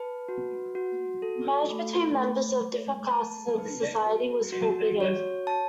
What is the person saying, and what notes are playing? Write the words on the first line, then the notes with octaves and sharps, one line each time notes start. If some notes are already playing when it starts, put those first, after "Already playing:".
Marriage between members of different classes of the society was forbidden.
Already playing: B4 A5
F#4
F#4
A4
A3
A3
A3
A5
B4
F#4
F#4
C#5
A5